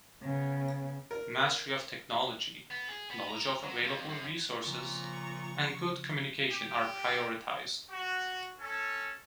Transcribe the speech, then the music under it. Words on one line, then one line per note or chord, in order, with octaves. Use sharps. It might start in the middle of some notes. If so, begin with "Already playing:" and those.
Mastery of technology, knowledge of available resources, and good communication are prioritized.
C#3 B3
A#4
B3
G#4
B3
A#5
F#3
F2
F#2
A#2 C#3 F3 C4 A#5 C#6
G4
F#4
C#4 A4